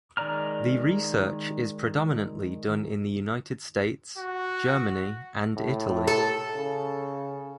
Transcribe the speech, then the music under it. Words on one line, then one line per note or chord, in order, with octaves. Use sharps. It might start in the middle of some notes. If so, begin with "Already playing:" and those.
The research is predominantly done in the United States, Germany and Italy.
D#3 G#3 D5 A#5 F6
F#4
A2
A4
C#3